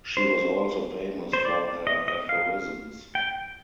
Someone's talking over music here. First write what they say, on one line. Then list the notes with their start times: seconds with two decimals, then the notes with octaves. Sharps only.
She was also famous for her aphorisms.
0.17 C5
1.33 C5
1.45 D5
1.87 D#5
2.08 D#5
2.29 F5
3.15 G5